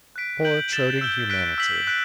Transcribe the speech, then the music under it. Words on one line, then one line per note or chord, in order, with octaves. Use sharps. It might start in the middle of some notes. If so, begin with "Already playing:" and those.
Poor, toadying humanity!
F#6 B6 D7
G6 D7 F#7
A6 E7 G7
E6 G6 D7 G7
F#6 B6 D7 G7
E6 B6 F#7
F#6 B6 D7